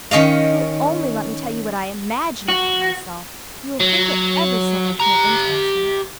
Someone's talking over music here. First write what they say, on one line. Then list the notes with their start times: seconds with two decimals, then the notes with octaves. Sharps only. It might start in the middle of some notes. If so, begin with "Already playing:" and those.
"If you'll only let me tell you what I IMAGINE about myself you'll think it ever so much more interesting."
0.11 D#3 C#4 D#5 F5
2.48 F#4
3.80 F#3
5.00 G4 A#5